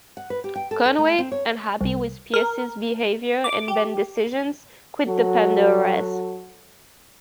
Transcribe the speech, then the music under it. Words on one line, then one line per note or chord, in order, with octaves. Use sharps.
Conway, unhappy with Pierce's behavior and band decisions, quit The Pandoras.
F#5
B4
G4
G5
A4
A4
A3
C4
C#5
C2
A#4
D6
G4
F#3 F#4 A4